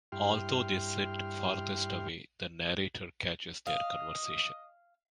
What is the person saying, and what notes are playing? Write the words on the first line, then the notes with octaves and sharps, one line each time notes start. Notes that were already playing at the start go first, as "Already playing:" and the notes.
Although they sit farthest away, the narrator catches their conversation.
G2 E4 G4 G5 C6 F6
D#5 F5